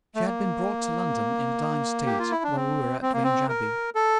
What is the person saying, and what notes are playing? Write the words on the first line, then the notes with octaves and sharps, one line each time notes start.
She had been brought to London in a dying state while we were at Vange Abbey.
A3
A#3
G4
F4
E4
D4
C4
C4
A#3
C4
A#4
A4